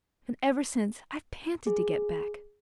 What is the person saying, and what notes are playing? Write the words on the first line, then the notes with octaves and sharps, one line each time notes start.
And ever since, I've panted to get back.
G#4